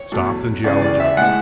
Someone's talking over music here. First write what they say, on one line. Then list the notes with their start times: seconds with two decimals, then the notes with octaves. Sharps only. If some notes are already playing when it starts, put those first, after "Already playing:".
Stopped and geologised.
Already playing: C#5
0.12 E2 B2 F#3 A3
0.64 C#2 C#3 E3 D5
0.82 D5
1.00 E5
1.17 A2 G#3 F#5